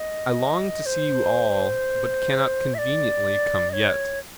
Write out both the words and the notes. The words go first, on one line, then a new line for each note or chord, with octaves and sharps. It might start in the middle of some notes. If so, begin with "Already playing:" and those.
'I long to see you all, but cannot conveniently come yet.
Already playing: D#5
C5
E5
D5
D#5
C#5